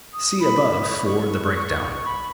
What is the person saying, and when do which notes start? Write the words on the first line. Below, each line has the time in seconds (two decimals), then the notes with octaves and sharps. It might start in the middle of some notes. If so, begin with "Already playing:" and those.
See above for the breakdown.
0.13 D#6
0.39 B5
0.81 D#6
0.90 C#6
0.97 B5
1.05 C#6
2.05 B5